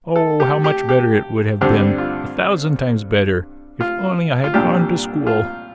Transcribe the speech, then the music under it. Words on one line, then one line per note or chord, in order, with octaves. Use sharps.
Oh, how much better it would have been, a thousand times better, if only I had gone to school!
A4
G4
G4
G4
G2 D3 G3 C4 G4
F4
F4
F4
C2 A#2 G3 D4 G4
F4